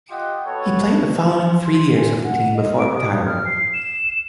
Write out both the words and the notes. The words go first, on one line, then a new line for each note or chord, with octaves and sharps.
He played the following three years with the team before retiring.
F4 G4 D#5 F#5 G5
B3 F#4 A4 C#5
C6
G#5
F#5
D#5
D7
D#6
F6
C7
E7